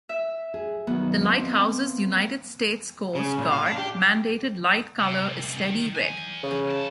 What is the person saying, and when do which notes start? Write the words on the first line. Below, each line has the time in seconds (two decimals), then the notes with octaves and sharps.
The lighthouse's United States Coast Guard-mandated light color is steady red.
0.09 E5
0.54 G#4
0.87 D#3 F#3 A#3 B3
1.21 A#3 C4 D#5
3.15 C#3
3.38 A#2
3.52 F5
3.66 D4
3.78 G4
5.01 C3
5.24 C2 F#2
5.60 D#3
5.95 E2 G#5
6.44 C#3
6.71 F#2 A5